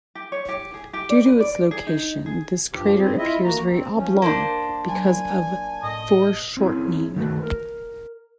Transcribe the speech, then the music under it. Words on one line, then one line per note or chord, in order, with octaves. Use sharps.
Due to its location, this crater appears very oblong because of foreshortening.
G4
C#5
G4
G#4
G4
D5
B4
D5
G#4
D#4
G#4
G2 F3 G4
G3 C4 G#4
E4 F4 D#5 E5
D2 A#3 F#4 A#5
C4
F3 C#4
A#3 D4 C5
F#3 G#5 B5
A2 D#5
C4 C#4 E4 G#4
D#3 A3 F#4 B4
A#4